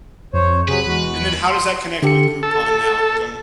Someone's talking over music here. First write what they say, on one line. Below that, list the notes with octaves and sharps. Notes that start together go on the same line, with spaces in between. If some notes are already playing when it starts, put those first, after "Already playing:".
and then how does that connect with Groupon now, 'cause I'm
F2 C5 C#5
C3 F#3 G#4 B4
E2 G#3 F#4
C6
D3 G4 A4 C#7
A4